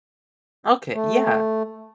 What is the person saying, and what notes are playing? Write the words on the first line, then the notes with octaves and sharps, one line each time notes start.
Okay, yeah,
A3